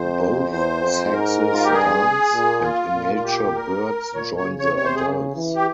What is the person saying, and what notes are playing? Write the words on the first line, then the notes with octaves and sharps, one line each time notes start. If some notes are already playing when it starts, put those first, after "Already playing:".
Both sexes dance, and immature birds join the adults.
Already playing: F2 C5
E2 C5
F2
G#2 A#4
F4
G4
G2 G#4
A#2
F4
A#2
F4
G4
A#4
A#2 C#5
C#5
C#3
C#5
C3 C#5
C5
G#4
C#3
E3
G4